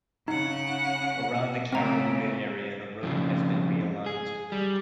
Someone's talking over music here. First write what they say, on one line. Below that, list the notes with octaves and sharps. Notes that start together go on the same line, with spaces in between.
Around the Carabooda area the road has been realigned.
C#3 D#4 F#5
C#3 A3 C4 A#5
F2 C#3
G#4
G3